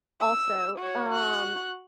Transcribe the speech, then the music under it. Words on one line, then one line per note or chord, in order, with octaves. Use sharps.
Also, um,
E6
F#4 C#5
F#4 F#6